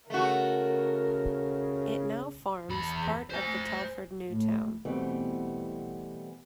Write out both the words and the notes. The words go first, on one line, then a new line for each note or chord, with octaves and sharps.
It now forms part of the Telford new town.
C#3 A3 F#4 A#4
E2 B5
C5 G#5
A2
B2 E3 G3 A3 B3 C4